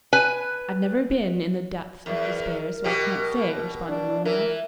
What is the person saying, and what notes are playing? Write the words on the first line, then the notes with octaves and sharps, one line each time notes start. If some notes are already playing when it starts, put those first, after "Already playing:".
"I've never been in the depths of despair, so I can't say," responded Marilla.
B4 G#5
E2 A#4
B2 G4
D4
E3 A#4